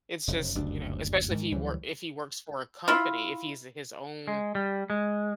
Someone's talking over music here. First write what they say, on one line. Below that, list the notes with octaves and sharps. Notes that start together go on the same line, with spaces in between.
It's just, you know, especially if he work if he works for a company, if he's his own
F1 F#2 C#3
F#1 D2 G2 D4
G#2 D#3
D2 E3 F#3 G3
E4 F4
G#3
G3
G#3